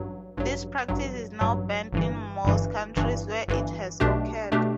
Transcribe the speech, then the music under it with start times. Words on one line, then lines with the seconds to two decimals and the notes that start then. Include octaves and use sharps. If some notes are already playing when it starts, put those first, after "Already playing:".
This practice is now banned in most countries where it has occurred.
Already playing: A1 G2 F#3
0.37 A1 G2 F#3
0.88 A1 G2 F#3
1.41 A1 G2 F#3
1.92 G1 G2 E3
2.44 G1 G2 E3
2.96 G1 G2 E3
3.48 G1 G2 E3
4.00 B1 B2 A3 D4 G4
4.52 B2 A3 D4 G4